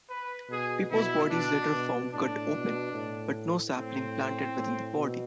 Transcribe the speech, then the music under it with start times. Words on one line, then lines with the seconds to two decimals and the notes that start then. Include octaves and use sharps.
Pipo's body is later found cut open, but no sapling planted within the body.
0.10 B4
0.50 B2 G#4
0.91 B2 E4
1.31 B2 D4
1.72 B2
2.13 A2 D4
2.53 B2
2.93 A2
3.74 A2 C4
4.55 A2
4.96 B2